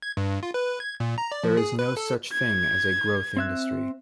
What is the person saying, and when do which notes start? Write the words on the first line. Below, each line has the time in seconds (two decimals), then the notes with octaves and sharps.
There is no such a thing as a growth industry.
0.02 G#6
0.17 G2
0.43 F4
0.54 B4
0.80 G#6
1.00 A#2
1.18 A#5
1.32 D5
1.44 F3
1.57 G#4
1.79 B4
1.97 A4
2.32 G#6
3.37 C4 E5 F#6